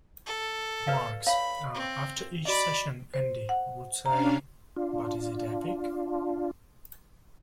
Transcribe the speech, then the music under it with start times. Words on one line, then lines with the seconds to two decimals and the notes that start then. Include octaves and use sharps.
Marx: After each session Andy would say, 'But is it epic?
0.26 A4
0.87 B4 D5 F5
1.27 C#5 F5 B5
1.74 C4
2.45 F#4 D5 D#5 B5
3.14 C5
3.49 F#5
4.06 C#4 D4 F5 A#5
4.76 D4 F4